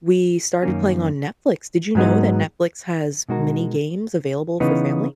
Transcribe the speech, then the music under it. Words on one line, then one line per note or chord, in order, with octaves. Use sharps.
we started playing on Netflix. Did you know that Netflix has mini games available for family?
F#2 D#3 A#3 C#4
G#2 F#3 B3 D#4
B2 G#3 D#4 F#4 A#4
C#3 E3 B3 D#4